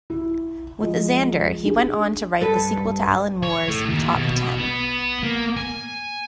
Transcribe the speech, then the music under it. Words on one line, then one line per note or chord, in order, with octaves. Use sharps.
With Zander he went on to write the sequel to Alan Moore's "Top Ten".
E4
F3 G#3
D4 G#4
G2 A4 B4
C#5
A2
D#2
B2
B3
A#3
G#5